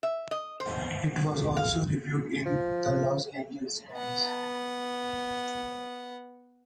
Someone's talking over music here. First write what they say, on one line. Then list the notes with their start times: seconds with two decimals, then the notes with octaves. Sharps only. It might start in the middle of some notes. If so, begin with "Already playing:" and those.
It was also reviewed in "The Los Angeles Times".
0.03 E5
0.31 D#5
0.60 C5
1.57 F5
2.46 F3
3.93 B3 F#5